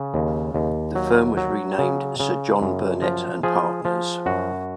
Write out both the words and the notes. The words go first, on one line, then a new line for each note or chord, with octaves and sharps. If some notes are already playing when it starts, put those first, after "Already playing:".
The firm was renamed Sir John Burnet & Partners.
Already playing: C#3
D#2
D#2
F#3
F#3
C#3
C#3
F#2
F3
F3 G#4
F3
F#2 F#4